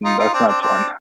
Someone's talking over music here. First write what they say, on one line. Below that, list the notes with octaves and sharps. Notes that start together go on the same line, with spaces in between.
that's not fun.
D#4 F4
D#4 F4
C4 D4
C4 D4
C4 D4